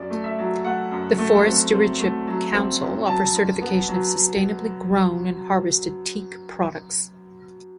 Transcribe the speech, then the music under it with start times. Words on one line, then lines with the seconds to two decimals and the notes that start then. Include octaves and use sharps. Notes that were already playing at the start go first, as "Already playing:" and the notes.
The Forest Stewardship Council offers certification of sustainably grown and harvested teak products.
Already playing: F#2 D5
0.10 A3
0.24 E5
0.38 F#3
0.64 A3 F#5
0.91 F#2
1.18 A3
1.46 C4
1.73 C4
2.00 A3
2.27 F#3
2.54 C4
2.81 F#2
3.07 F#3 A5
3.34 F#2
3.61 B3
3.88 F#3